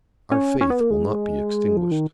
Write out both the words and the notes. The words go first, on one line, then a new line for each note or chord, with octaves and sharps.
Our faith will not be extinguished.
C#4
C#4
B3
A#3
G#3
F3
D#3